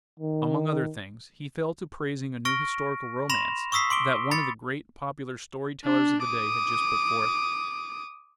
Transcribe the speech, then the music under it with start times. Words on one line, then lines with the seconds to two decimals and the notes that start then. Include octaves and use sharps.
Among other things, he fell to praising a new historical romance that one of the great popular story-tellers of the day had just put forth.
0.20 D#3
2.45 C#6 F6 A#6 D7
3.30 B5 C6 A#6 E7 F7
3.72 C#6 D#6 E6 B6 C7
3.90 C6 D6 D7 G7
4.31 B5 A6 C#7
5.84 D4
6.23 D6 D#6